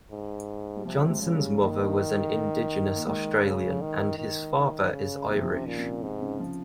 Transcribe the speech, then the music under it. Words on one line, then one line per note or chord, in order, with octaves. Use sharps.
Johnson's mother was an Indigenous Australian and his father is Irish.
G#2
G3
C3 F3
G#3
C#3
G3
D#3 A#3
A#3
D#3 G#3
C#3
D#3
D#3
D#3
C#3
C3 D#3
F3
D#3
C#3
A#2
C3
G#2 C3
C#3
F3